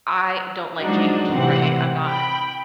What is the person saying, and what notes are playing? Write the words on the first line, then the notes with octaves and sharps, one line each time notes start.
I don't like change, right? I'm not
F3 F#3 G#3 D4 D#4 F#4
A2 C3 E3 C4 F#5
G5 B5